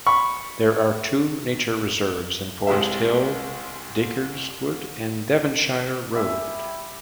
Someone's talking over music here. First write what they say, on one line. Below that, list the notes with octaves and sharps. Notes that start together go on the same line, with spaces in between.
There are two nature reserves in Forest Hill, Dacres Wood and Devonshire Road.
B5 C#6
C2 C3 G#3 G4 G#4 E5
G3 E5 G#5